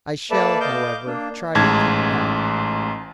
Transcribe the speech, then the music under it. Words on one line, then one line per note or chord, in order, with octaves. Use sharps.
I shall, however, try to keep it out.
A#3 A4 B4 D5 E5 A5
D#5 F5 D6 G6
A#3 D4
A1 G#2 A5 G#6